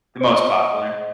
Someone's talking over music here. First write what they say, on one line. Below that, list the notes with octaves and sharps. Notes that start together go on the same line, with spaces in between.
the most popular.
C5 D#5